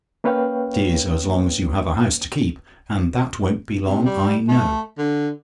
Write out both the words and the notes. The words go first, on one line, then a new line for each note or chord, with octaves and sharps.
That is, as long as you have a house to keep--and that won't be long, I know.
A#3 C#4 B4 C#5 F5 G5
C3
G3
A3
D3